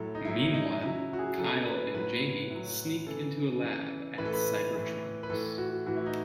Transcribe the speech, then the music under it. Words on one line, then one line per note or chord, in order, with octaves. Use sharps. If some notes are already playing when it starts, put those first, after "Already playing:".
Meanwhile, Kyle and Jamie sneak into a lab at Cybertronix.
Already playing: A2 F#3 A4
D#4
A2 F#3 E4
D#4
C#3 F#3 E4
F#4
G#4
C#3 F#3 A4
B4
A2 F#3 B4
A2 F#3
C#3 E3 A4
C#3 E3
A2 E3 B4
A4
B4
A2 E3
B4
A2 E3 A4
F#4
A2 E3 F#4
E4
D#4